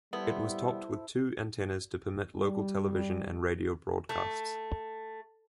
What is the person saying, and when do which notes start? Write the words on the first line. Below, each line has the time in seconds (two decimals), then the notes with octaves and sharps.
It was topped with two antennas to permit local television and radio broadcasts.
0.13 G3 B3 E4 A4 C5
2.36 G3
4.09 A3